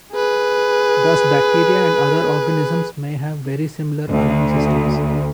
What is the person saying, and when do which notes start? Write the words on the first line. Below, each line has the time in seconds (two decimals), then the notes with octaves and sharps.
Thus bacteria and other organisms may have very similar alarm systems.
0.13 G#4 B4
4.09 D2